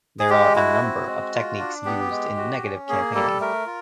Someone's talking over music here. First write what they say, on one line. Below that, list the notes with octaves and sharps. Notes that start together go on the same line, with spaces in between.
There are a number of techniques used in negative campaigning.
G#4
G#3 G4
E4 F#4
C4
G#3
F4
D4
B3 G4
G#3
F#4
C#4
A#3 G#4
G3 A4
A3 A#4
F4